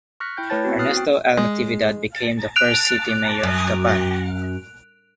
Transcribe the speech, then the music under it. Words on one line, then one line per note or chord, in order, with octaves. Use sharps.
Ernesto L. Natividad became the first city mayor of Gapan.
C#6 F6 F#6 A#6 B6 C#7
E4 G5 G6
A3 E4 B4 C#5 A5 A6
B3 C4 F#4
D#6 F6 F#6 A6 C7
F#4 G5
G#3
F#6 D7 F7
F#2